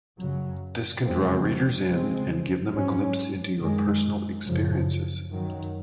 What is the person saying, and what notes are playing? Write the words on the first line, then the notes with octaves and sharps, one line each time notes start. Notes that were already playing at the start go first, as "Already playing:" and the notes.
This can draw readers in and give them a glimpse into your personal experiences.
F#2 C#3 F#3
F2 C#3 F3 G#3 C4
C#3 G#3 C4
G#2 F#3 C#4
F#2 D#3 G#3
F#2 C#3 F3
F#2 D#3 F#3